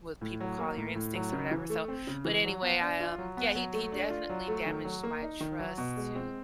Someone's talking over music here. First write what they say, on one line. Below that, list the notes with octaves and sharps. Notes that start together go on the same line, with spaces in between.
what people call your instincts or whatever. So, but anyway, I, um, yeah, he he definitely damaged my trust to
A2
F#3
A#3
A2
A2
F#3
C#3
E3
A3
C4
C#3
E3
F#3
B3
D4
F4
F#3
B3
F#3
A3
D4
F4
F#3
A3
D#3
F#3
A#3
D#4
D#3
F#3
B2
G#3
C4